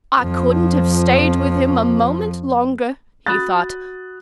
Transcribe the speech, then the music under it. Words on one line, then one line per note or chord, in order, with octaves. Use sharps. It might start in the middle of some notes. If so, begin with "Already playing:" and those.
"I couldn't have stayed with him a moment longer," he thought.
F2 F3
F#4 B5 D#6 F#6 A6